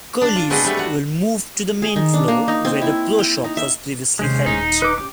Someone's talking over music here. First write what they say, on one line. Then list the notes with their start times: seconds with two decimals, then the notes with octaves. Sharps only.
Curly's will move to the main floor where the Pro Shop was previously held.
0.21 D4
0.36 F4
0.50 F#3 G#3 B3 C4 D4 D#5
0.64 G3 A3 B3
0.77 F#4 A#5
1.82 G#4
1.96 D#3
2.14 D4
2.28 A#3
2.48 D#4
2.65 C4
2.81 E4
3.19 G5
3.44 D#4
3.57 E5
4.19 D#2 C3 G#3 C#4 C5
4.46 D#1 D#4
4.82 B4 D6
4.98 C#4 G4 D6